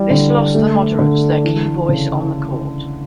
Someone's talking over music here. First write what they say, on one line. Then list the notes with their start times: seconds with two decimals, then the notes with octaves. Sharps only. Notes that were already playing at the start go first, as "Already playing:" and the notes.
This lost the moderates their key voice on the court.
Already playing: E3 G3
0.10 D3
0.55 A3
0.99 D3
1.44 E3
1.89 C#3